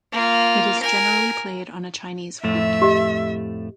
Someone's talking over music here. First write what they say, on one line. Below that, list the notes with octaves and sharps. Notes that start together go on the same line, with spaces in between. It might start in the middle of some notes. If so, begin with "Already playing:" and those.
It is generally played on a Chinese flute.
A#3 F4
A#4 G#5
F2 A2 A3 E5
G4 D#5